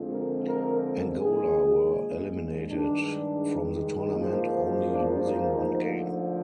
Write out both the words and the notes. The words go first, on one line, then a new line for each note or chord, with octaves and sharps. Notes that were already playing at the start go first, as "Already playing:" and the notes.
Angola were eliminated from the tournament only losing one game.
Already playing: F2 D3 F3 G#3
A#4
A#4
A#1 A#2 G#3 G#4
G2 D#3 G#3 D4
G#2 F3 A#3
D4
D#4
D2 D3 F3